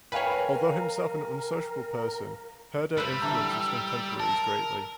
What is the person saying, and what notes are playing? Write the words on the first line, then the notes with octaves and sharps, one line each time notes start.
Although himself an unsociable person, Herder influenced his contemporaries greatly.
A#4 B4 C#5 F5 G5 G#5
G3 B4 C5 E6
D3 E3 A#5
A#4 A5